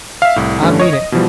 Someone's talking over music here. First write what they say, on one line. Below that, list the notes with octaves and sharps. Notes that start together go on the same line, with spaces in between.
I mean it!
E5 F5
C2 A2
G2 D3 A3 C#4
C#5 D#5
D#5
B2 E3 F3 G3